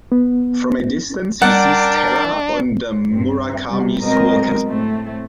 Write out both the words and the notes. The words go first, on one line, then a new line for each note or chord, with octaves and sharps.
From a distance, he sees Terra on the Murakami School campus.
B3
G3 D4 A#4 D5 F#5 G5
G2 C4
C3 G3
B2 F#3 G#3 C4 A#4 D#5
A2 A3 C4